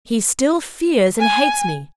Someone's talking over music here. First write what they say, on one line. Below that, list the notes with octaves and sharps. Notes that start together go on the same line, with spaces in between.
He still fears and hates me.
G#5